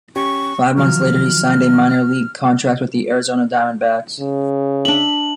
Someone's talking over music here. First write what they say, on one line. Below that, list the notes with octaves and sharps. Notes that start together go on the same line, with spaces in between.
Five months later, he signed a minor league contract with the Arizona Diamondbacks.
C#4 G4 C#6
D#3 F3 F#3 F6
C#3
D4 E5 F#7